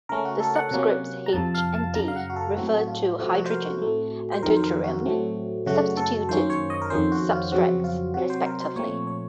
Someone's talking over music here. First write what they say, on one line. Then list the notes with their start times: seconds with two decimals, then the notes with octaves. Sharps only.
The subscripts H and D refer to hydrogen and deuterium substituted substrates, respectively.
0.09 C#3 A3 C#4 A#4
0.25 F#4
0.40 A4
0.55 F#5
0.71 C3 F#3 A#3 C#4
1.26 A#5
1.33 F2 C3 F3 A5
1.54 F5
1.75 A5
1.95 F#2 C#3 F#3 A#5
2.08 F5
2.16 F#5
2.30 F#4
2.36 A4
2.57 A2 F#3 C4 F#4
2.67 A4
2.77 F#4
2.88 F4
3.19 C3 F3 A3 C4 F#4
3.35 F#4
3.45 C5
3.50 A#4
3.65 F#4
3.82 A2 A3 C4
4.32 C5
4.43 F2 D#3 F#3 C4 A#4
4.57 C5
4.63 A#4
4.84 F#4
5.05 A2 F#3 A3 C4
5.66 F#2 C#3 A3 F#4
5.97 A4
6.29 F#2 D#3 A#3 C#4 C5
6.50 C#5
6.70 D#5
6.82 A#4
6.90 F2 D#3 A#3 C#4 C5
7.12 F#4
7.32 F4
7.52 F2 C#3 F#3 C4 F#4
7.84 F4
8.14 C3 F#3 C4 F#4
8.30 C5
8.46 A#4
8.61 C5
8.76 A#2 F3 A3 C4 C#5
9.07 C#5